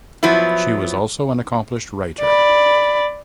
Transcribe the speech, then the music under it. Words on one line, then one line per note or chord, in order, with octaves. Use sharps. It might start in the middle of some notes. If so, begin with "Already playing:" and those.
She was also an accomplished writer.
F3 F#3 B3 E4
D5 B5